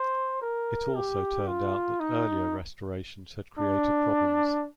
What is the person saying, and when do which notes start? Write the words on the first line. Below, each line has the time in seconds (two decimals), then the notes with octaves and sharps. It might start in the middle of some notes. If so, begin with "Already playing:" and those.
It also turned out that earlier restorations had created problems.
Already playing: C5
0.42 A#4
0.95 G4
1.47 F4
2.00 D#4
3.59 D4